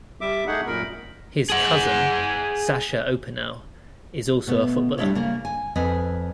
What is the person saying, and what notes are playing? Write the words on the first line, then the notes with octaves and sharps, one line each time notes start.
His cousin, Sacha Opinel, is also a footballer.
G3 E5 D6
A3 D#4 G#4 F#5
F#2 A#2 A#4 B5
G#4 F#5
B2 A3 B3
G3 A3 D4 E4 F4 C#5
C#3 A#3 A#4
G#5
F2 C4 B4 D#5 G#5